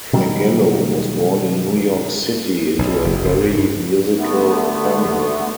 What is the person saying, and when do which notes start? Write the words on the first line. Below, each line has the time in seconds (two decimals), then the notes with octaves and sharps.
Flagello was born in New York City, into a very musical family.
0.13 B2 D#3 F#3 G3
2.79 B1
3.04 F#1
3.24 F#1
3.40 G#2
3.57 G2
4.18 D3 A3 B3